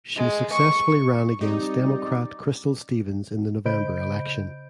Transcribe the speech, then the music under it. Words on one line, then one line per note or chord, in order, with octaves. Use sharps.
She successfully ran against Democrat Crystal Stevens in the November election.
G#3
C#6
G3 C4 D#4 G4 D5
C#3 C5 D#5 B5 G6 D7